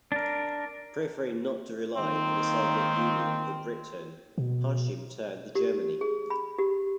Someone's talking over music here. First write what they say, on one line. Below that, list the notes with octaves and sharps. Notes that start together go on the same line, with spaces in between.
Preferring not to rely on the Soviet Union or Britain, Hashim turned to Germany.
D4 A#4
D#3 A#3 C4
B2
G4
G#4
B5
G4